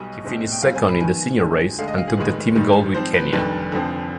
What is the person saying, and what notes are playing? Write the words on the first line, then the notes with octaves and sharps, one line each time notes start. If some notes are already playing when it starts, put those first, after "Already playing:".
He finished second in the senior race and took the team gold with Kenya.
Already playing: B1 B2 G3 D#5
C2 B2 G#3 C4 D#4
G5
B1 B2 G3 C4 F5
G#5
B5
G#2 D#3 B3 G#5
F2 D3 G#3
D2 D3 G#3 D4 F5
D#5
F5
G#4
F1 D#2 D#3 G#3 B4
G#1 G#2 D#3 G3
G#2 F3 C4 C5
B4
F1 F2 D#3 G3 D4 B4
F1 F2 D3 F3 C4